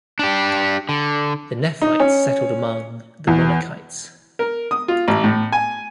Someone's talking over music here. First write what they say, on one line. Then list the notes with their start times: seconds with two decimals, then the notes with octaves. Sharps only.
The Nephites settled among the Mulekites.
0.19 D4 G4
0.89 D3
1.82 D#4
2.00 C#4
3.27 E2
4.39 A#4
4.71 D#6
4.88 F4
5.08 A1
5.24 A2
5.52 G#5